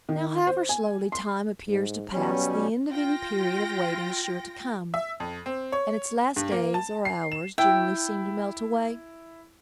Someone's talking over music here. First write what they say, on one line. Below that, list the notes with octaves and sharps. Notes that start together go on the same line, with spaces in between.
Now however slowly time appears to pass, the end of any period of waiting is sure to come, and its last days or hours generally seem to melt away.
D#3
C5
G#5
C6
G#2
B2 F#3 G3 C#4
F4 G5 A#6
E5
F2
C4
C#5
G2
A#3
A5
C7
E7
E4 G5